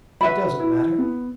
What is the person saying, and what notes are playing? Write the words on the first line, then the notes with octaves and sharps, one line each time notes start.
'It doesn't matter.
F#4 B4 E5 B5
E4
B3